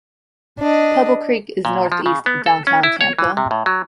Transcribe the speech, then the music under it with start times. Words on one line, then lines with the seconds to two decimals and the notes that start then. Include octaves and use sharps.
Pebble Creek is northeast of downtown Tampa.
0.60 D4 D#5
1.65 A#2
1.92 F3
2.06 C#3
2.26 B3
2.46 A4
2.67 C#4
2.83 E4
3.01 C#5
3.19 E3
3.37 C3
3.51 A2
3.66 F#3